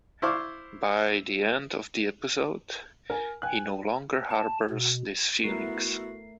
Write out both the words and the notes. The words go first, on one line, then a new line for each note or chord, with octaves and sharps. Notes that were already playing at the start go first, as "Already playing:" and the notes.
By the end of the episode, he no longer harbors these feelings.
E4 C5 D5 F5 C#6 D6
A#4 G#5
G5 G#5 F#6
A5
B2
A3 B3 E4 F#4 A#4 C7